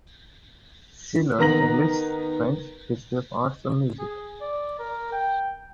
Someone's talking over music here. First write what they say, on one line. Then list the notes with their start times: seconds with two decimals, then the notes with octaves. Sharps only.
She learnt English, French, history of arts and music.
1.39 D#3 B3 A#5 A#6 F#7
3.99 G#4
4.41 D5
4.79 A#4
5.12 G5